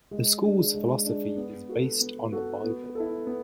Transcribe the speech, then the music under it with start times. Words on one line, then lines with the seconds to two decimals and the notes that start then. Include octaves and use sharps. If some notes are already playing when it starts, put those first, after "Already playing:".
The school's philosophy is based on the Bible.
0.11 G#3
0.43 D4 G#4
0.74 G#3
1.06 D4 G#4
1.37 B3
1.69 F#4 A4
2.00 B3
2.32 F#4 A4
2.64 B3
2.95 E4 A4
3.27 B3